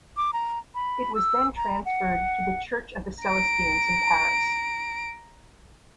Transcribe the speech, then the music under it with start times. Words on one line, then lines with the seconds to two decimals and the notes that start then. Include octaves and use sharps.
It was then transferred to the church of the Celestines in Paris.
0.17 D6
0.33 A#5
0.75 B5
1.15 E6
1.57 A#5
1.85 F#5
3.23 A#5 D7